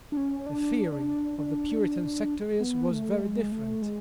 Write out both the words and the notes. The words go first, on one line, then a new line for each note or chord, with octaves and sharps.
The theory of the Puritan sectaries was very different.
D4
C#4
D4
D4
D4
B3
A3
G#3
A3
G#3